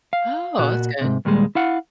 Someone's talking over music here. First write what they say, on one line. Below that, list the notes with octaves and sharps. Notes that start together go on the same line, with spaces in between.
Oh, that's good.
F5
A#2 F#4
G#2 C3
D#2 A#2 G3 G#3
E4 F5 F#5